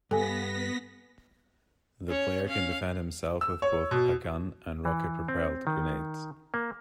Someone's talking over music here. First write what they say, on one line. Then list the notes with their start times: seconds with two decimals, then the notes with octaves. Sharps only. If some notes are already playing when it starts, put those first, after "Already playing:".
The player can defend himself with both a gun and rocket-propelled grenades.
0.11 G2 B3 A4 G#5 A#6 B6
2.09 C#4 C#5
2.46 C#4 F5
3.41 E6
3.62 C#5
3.91 B2
4.85 E3
5.28 C4
5.67 D#3
6.54 A#3